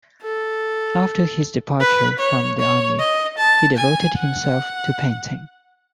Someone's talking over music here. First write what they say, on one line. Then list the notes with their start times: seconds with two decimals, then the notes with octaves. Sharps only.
After his departure from the army, he devoted himself to painting.
0.22 A4
1.80 B4
2.19 C#5
2.59 C#5
2.99 D#5
3.38 A5
3.76 G#5
4.16 F#5